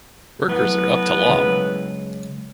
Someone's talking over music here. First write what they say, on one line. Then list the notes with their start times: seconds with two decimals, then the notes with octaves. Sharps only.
Workers are up to long.
0.48 A2 F#3 B3 B4
1.29 C#3 F#3 G#3